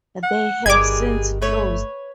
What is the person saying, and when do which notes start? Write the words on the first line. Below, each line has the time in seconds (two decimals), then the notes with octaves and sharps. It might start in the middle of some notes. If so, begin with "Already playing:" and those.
They have since closed.
0.23 F#5
0.66 G1 D#3 G3 G#4 B4 D6 G#6
1.42 A3 B4 C#5